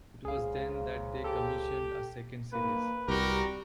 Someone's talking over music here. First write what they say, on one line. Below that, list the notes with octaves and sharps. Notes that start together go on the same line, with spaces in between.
It was then that they commissioned a second series.
C#2 G#2 C#3 G#4 F5
G4 A4
A#3 B4
C2 G3 F#4 G4 A#4